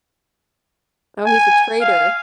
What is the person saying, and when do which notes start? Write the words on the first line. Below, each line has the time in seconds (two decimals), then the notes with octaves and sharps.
Oh, he's a traitor.
1.26 G#5
1.80 F5